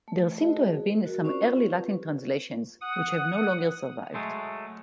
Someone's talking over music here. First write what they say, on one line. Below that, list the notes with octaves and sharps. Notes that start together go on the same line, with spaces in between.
There seem to have been some early Latin translations, which have no longer survived.
A3
E4 F#4 G#4 C5 D#5
G#4
F#4 A#4
C4 C#4 F4 C5 D5 C#6
F4 G4 B4
F#5 D#6
F#3 G#3 A3